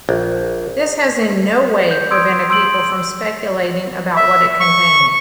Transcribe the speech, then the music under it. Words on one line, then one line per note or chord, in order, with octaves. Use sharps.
This has in no way prevented people from speculating about what it contained.
A#1
G6
C6 D#6 E6 G6 G#6 D7
C6 E6 G6 D7 F#7
E5
C#6